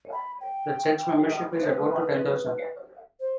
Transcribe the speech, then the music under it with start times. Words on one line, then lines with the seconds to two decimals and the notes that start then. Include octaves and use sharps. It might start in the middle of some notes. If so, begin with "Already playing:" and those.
The Church's membership is about ten thousand.
0.12 B5
0.41 G5
1.53 B4
3.20 C5